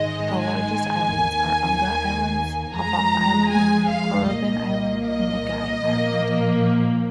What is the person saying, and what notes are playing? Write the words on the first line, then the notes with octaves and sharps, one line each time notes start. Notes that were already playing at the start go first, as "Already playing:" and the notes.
The largest islands are Unga Island, Popof Island, Korovin Island, and Nagai Island.
Already playing: G#2 D#3 G#3 D#5
G#5
D#2 D#3 A#3
F2 F3 G#3 A#5
G#5
F5
C2 A#2 A#3 D#5
D#5
A#2 F3 A#3